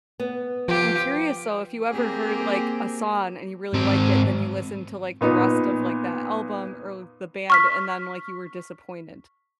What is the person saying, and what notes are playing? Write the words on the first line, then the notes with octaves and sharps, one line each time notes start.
I'm curious though, if you ever heard, like, a song and you really liked it, then you listened to, like, the rest of, like, that album or l the band, and then, like, you were disappointed.
B3
F3 F4 G4
A#3 C4 G4 G#4
G#2 C4
A#2 B3 D#4
C#6 F6 B6